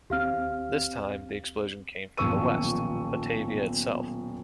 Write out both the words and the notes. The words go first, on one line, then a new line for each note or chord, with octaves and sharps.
This time, the explosion came from the west: Batavia itself.
D#2 C4 G4 F5 F6
D#1 B1 F3 C#6 E6 D#7